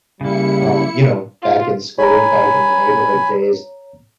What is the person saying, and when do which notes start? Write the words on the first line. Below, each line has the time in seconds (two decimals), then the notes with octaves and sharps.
um, you know, back in school, back in the neighborhood days,
0.21 C#3 G3 A#3 E4 C#7
1.43 F4
1.98 C#5 G#5 A#5 B5